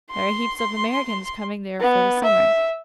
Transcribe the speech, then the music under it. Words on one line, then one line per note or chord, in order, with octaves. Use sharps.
There are heaps of Americans come there for the summer.
C6
B3
E5